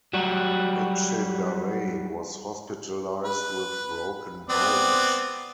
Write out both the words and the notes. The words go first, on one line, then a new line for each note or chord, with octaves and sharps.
Etchegaray was hospitalized with broken bones.
F#3 G3 F#4
B4
B3 C4 D5